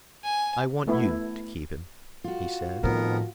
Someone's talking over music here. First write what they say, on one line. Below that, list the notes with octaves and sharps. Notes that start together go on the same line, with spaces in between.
"I want you to keep him," he said.
G#5
A3 B3 E4
F4 F#4
F2 A2 D#3 F3 B3 A#4